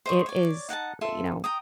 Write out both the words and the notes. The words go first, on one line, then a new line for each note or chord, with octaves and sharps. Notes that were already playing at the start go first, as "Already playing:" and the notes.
it is, you know
C5 D#5 C#6
C#5 D5
D#4 F#5 G5 A5
F4 A4 E5
G5 A#5 D#6